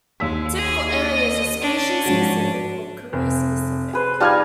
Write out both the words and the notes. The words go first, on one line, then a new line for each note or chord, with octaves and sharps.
Typical areas are species-specific or career-specific.
D#2 G#3 E6 B6
G#4
D#5
C#4 D4
G#2 F3 F#3
F1
G#4 B4 C5
G3 D#4 F4 A5 F6 G#6